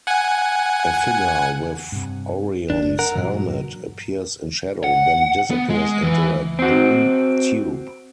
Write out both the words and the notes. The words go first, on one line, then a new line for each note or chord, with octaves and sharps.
A figure, with Orion's helmet, appears in shadow then disappears into a Boom Tube.
F#5 G#5
G2 C3
F#1 D4
A#4 F#5
G2 A#2 E3 F#3
F#5
B3
G#3
E3
C4 F#4